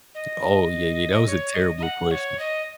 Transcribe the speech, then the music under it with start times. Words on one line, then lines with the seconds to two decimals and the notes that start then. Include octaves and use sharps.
Oh, yeah, yeah. That was a terrible question.
0.15 D#5
1.27 C#5
1.54 D#5
1.77 D#5
1.83 F#5
2.11 C#5
2.39 D#5